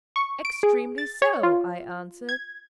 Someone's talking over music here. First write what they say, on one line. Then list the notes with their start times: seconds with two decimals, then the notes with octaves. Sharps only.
'Extremely so,' I answered.
0.16 C#6
0.45 D7
0.63 G#4
0.98 A6
1.22 C#5
1.43 F4
2.29 G#6